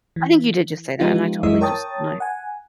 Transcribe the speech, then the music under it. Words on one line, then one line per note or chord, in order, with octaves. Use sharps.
I think you did just say that, and I totally just my
E3
F3 G#3 B3 D#4 F4 G4
F#2 E3 G#3 E4 D#5 E6
A#4 C#5 G5 A5 D#6 A6
F#5 G#5